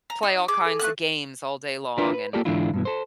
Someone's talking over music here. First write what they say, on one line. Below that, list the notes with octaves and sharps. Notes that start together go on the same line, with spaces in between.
play all kinds of games all day long and
A#5
D#4
G#4 D6
A4
A3 B3 F#6
D4 E4 F4 A#4 B4 D5
B4
A#3 F4 G4 A4 A#4 D5
G#2 D3 E3 D4 E4 F4
G2 B2 E3
A4 C5